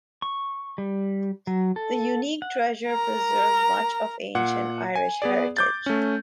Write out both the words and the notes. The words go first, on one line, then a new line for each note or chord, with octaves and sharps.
The unique treasure preserves much of ancient Irish heritage.
C#6
G3
F#3
A4
F#5
A#4 A#5
A#2 F#5
G#5
B3 G#4 D5
D6 G6 A6
A3 C#4